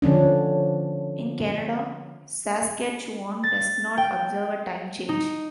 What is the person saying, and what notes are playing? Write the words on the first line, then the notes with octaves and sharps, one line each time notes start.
In Canada, Saskatchewan does not observe a time change.
D3 F3 C#4 D4
A6
G5
D#4